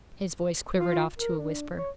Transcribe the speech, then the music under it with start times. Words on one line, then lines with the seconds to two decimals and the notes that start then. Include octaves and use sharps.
His voice quivered off to a whisper.
0.77 F4
1.18 A#4
1.38 D4
1.77 C#5